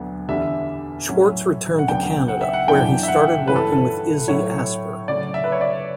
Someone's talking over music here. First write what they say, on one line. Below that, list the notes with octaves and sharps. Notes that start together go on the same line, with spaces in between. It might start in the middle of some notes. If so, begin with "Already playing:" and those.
Schwartz returned to Canada, where he started working with Izzy Asper.
Already playing: D2 D3 F#3 B3 D4
E2 D3 G3 D4 E5
A2 F#3 C#4
F#5
D2 C#3 F#3 B3 D4 G5
F#5
E5
F#5
F#2 E3 B3 D4 G5
E5
F#5
G2 E3 A3 C#4 B4
A4
A4
A2 F#3 A3 C#5
C#3 F#3 A3 D5
E5
B4
C#5
D5